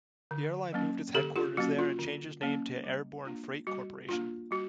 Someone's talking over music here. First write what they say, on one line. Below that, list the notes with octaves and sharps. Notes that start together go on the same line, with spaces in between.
The airline moved its headquarters there and changed its name to Airborne Freight Corporation.
D3
F#3 A#3 C#4
D3 G4 A4
F4 G4
F#3 A#3 C#4 F#4
F4
D3
F#3 A#3 C#4
G3
A#3 D4 F4
G3 F#4
A#3 D4 F4
G3 F#4